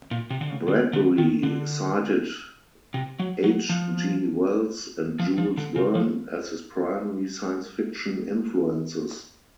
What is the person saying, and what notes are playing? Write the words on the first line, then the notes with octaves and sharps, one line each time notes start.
Bradbury cited H. G. Wells and Jules Verne as his primary science fiction influences.
A#2
C3
D3
C#3
D3
D3
D#3
D3
C3
F#3
F#3
F3
F3
F3
D3
C#3
F3